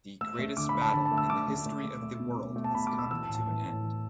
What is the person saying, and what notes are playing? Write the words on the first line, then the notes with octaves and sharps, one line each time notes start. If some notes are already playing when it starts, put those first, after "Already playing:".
The greatest battle in the history of the world has come to an end.
A3 E6
A3
D3 D6
B5
A3
A5
D3 A5
A5
A3
E6
D3 D6
A3
A3
A3
A3
B2
B2
A3
A5
B2 B5
D6
A3
E6
E3 E6
A5
A2
A5
E3
A2
E3